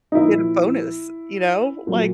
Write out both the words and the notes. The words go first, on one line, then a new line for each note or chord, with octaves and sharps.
get a bonus, you know, like
D#4
A#2 F3 E4
A#2 F#3